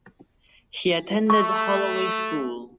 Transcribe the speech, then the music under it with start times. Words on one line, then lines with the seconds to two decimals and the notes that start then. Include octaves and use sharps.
He attended Holloway School.
1.30 A3 C#6